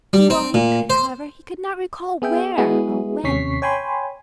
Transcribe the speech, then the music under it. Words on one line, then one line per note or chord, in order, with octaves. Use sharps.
Do all he could, however, he could not recall where or when.
G3
C4
A#2
C5
B3 G#4 E5 G5
G#3 B3 E4 F#4 G#4
D#2 C3 C#4 C#6 B6 C7
C#5 G5 G#5 B5 C6